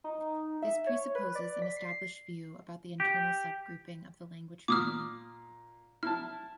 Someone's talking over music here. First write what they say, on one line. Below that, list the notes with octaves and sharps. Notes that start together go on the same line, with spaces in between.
This presupposes an established view about the internal subgrouping of the language family.
D#4
E5
C#5
B4
D5
B6
C7
G4
A#2 D6 D#6 F6
E4 A5 F6